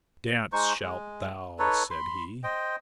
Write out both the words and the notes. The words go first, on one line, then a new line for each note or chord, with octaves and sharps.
"Dance shalt thou!" said he.
G#3 D#4 C5 C#6
G#3
D#4 A4 B4 C#5
B5 C6
C5 D#5 G5